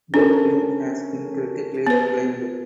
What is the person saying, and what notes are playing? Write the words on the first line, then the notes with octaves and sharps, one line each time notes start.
The film has been critically acclaimed.
C#4 D4 A4 A#4
B3 B4